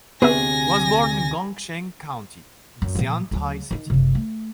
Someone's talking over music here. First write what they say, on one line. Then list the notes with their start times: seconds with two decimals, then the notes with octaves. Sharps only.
Was born in Gongcheng County, Xiantai City.
0.22 D2 C3 B3 G#4 E5 G#5 A#6
2.82 F#2
2.95 A#2 F3
3.31 D2 F#3
3.71 D#3 D#4
3.90 F#1 C3
4.15 A3